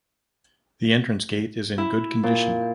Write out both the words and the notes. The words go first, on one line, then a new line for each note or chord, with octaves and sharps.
The entrance gate is in good condition.
E4
A#2